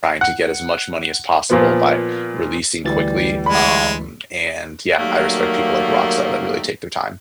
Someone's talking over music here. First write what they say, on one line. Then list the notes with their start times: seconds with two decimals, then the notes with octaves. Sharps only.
trying to get as much money as possible by releasing quickly. Um, and, yeah, I respect people like Rockstar that really take their time.
0.21 F#5
1.50 A#2 F3 B3
2.84 D2 E3 G3 A6
3.46 G#3 B5
4.99 D#3 F#3 G3 A3 A#3